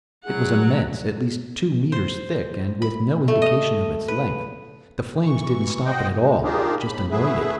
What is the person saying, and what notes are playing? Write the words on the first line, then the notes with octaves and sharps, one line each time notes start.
It was immense, at least two meters thick and with no indication of its length. The flames didn't stop it at all, just annoyed it.
F#3 D4 E4 G#4 F#5
C5
B5
A3
D#5
B4
E3 C#6
C5 D#5 F#5 G5
G#3
D4 D#4 F4 G4 G#4 A#4
D#2 B5
A3 B3 E4 G#4 B4 E5